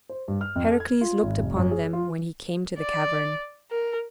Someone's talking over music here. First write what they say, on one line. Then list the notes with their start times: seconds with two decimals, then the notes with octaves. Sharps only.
Heracles looked upon them when he came to the cavern.
0.09 C5
0.28 G2
0.41 F6
0.56 F2
0.67 A4
0.80 G#6
1.01 F4
1.23 G#1
1.38 F1
1.57 F#2
1.71 G#4
1.93 F4
2.80 D5
3.71 A#4